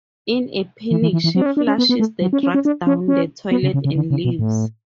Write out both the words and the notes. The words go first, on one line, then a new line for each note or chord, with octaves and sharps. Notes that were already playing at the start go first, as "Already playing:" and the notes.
In a panic, she flushes the drugs down the toilet and leaves.
E3
E3
E3
E3
F#3
D4
C#4
D4
C#4
B3
B3
A3
F#3
C#4
C#4
C#4
D4
C#4
C#4
B3
C#3
C#3
C#3
D3
C#3
B2
A2